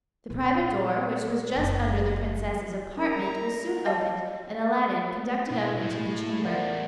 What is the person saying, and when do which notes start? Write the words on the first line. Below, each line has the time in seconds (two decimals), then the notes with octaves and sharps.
The private door, which was just under the princess's apartment, was soon opened, and Aladdin conducted up into the chamber.
0.30 A#2 B3
1.56 F#1
2.97 C#4 E4 A#4 A#5
3.86 D#5 F5 A5
5.51 B2 E4
5.81 A2
6.43 E2 A3 A#4 D5 E5 F#5